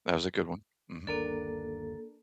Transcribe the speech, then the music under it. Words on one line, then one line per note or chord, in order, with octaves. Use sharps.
That was a good one. Mhm.
G1 D#2 A#3 D4 A4 A#4